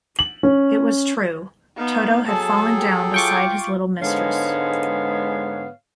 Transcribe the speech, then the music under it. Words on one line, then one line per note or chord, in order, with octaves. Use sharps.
It was true; Toto had fallen down beside his little mistress.
F#7
C#4
B3 D#4 F5
F#3 G#4 A4 A5
G4
F4 G5 C#6 D6
G#2 D3 G#3 B3 C#5 F5